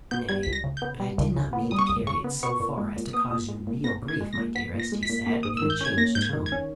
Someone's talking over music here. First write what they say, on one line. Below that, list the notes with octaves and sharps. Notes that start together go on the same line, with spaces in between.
"Nay, but I did not mean to carry it so far as to cause you real grief, my dearest," he said, in a changed tone.
B3 G6
G3 G#6
C#2 B6
A#6
C#3
G6
B3
G3
C#2
C#3
B3
G3 D#6
C#6
C#2 D#6
C#3 C#6
B3
B3 C#6
A#2
G#3
A#2
B3 D#6
A#2
G#3
A#2
B3 A#6
A#2
G#6
G#3
A#6
A#2
B3 B6
A#2
A#6
G#3
B6
A#2
A#3
G#2 D#6
D#3 E6
G6
C#4 G#6
A#3 A#6
G#2 G6
G#6
D#3
G#6
C#4